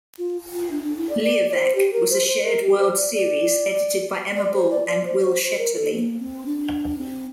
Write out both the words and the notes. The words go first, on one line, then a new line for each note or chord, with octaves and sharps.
Liavek was a shared-world series edited by Emma Bull and Will Shetterly.
F4
F4
D4
D4
E4
D5
D5
D5
C5
G4
A#4
C5
C5
A#4
G4
C5
D5
D5
D5
C5
D5
D5
C5
C5
C5
A#4
A4
A#3
C4
D4
C4